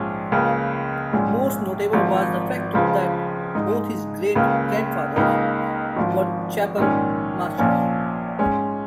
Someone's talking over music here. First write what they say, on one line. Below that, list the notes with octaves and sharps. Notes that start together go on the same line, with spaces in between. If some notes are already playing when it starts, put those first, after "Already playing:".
Most notable was the fact that both his great-grandfathers were Chapel Masters.
Already playing: A#1 G#2 F3 G#3 C#4
C#2 C#3 A#3
A#1 G#2 G#3 C#4
G#1 G#2 F3
C#2 C#3 F3 G#3
G#2 G#3 D#4
C#2 C#3 A#3
C#2 C#3 A#3 D#4
G#1 G#2 F3
A#1 G#2 D#3 C#4
A#1 A#2 F3 C#4
G#2 G#3 C#4